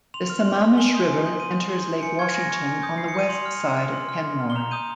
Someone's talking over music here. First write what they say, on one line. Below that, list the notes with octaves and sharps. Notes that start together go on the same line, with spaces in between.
The Sammamish River enters Lake Washington on the west side of Kenmore.
C6 F7
F6
C6
F6
G#5 G7
C6 D#6 G6
G#5
C6 D#6 G6
C6 D#7
G6
C6
G6
G#5 C#7
C#6 F6 G#6
G#5 A#6
C#6 F6
G#5
D#6 G6
G#5 C7
C#7
D#6 G6 D#7
C6 F7
F6
C6
F6
C6
F6
C6
F6
G7
A#5 F7
D#6 G6 D#7